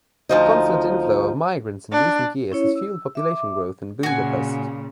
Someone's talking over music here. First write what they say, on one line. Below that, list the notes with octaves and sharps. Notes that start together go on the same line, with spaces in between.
A constant inflow of migrants in recent years has fuelled population growth in Budapest.
D2 F3 D#4
D4
C#4 E4 C#5
E6
E5 D6
A#2 C#3 F#4 G#5